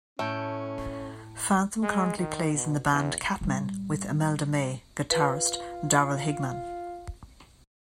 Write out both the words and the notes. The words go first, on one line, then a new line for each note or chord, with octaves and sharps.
Phantom currently plays in the band Kat Men with Imelda May guitarist Darrel Higham.
A2 A3 C#4 G5
G#3
D#3
B2
E2
A2 G3
F4 B4